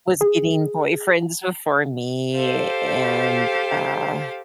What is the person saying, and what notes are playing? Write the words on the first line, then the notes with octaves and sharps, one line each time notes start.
was getting boyfriends before me, and, uh
G#4
G4 A4 C5 F5